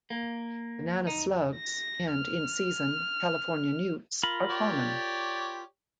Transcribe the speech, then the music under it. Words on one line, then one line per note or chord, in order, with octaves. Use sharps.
Banana slugs and, in season, California newts are common.
A#3
D#4
A#6
F6
F4 A#4 B5
G4 C#5 D5